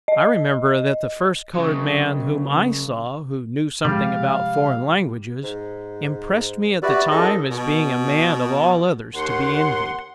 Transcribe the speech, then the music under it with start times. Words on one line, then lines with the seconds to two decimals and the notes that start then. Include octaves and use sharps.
I remember that the first coloured man whom I saw who knew something about foreign languages impressed me at the time as being a man of all others to be envied.
0.08 D#5
1.54 C#3 F#3
3.85 C3 F3 G3 G#3 F5
5.44 G#2
6.83 F#4 G4 B4 D5 E5 F#5
7.11 F#2 E4 G#4 A4 D#5
7.50 B2
9.15 D#2 F#5 C6